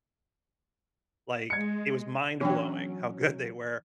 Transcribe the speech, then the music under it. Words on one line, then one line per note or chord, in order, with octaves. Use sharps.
like, it was mind-blowing how good they were,
G#3 G#6 C#7
E3 F#3 C#4 D4 G5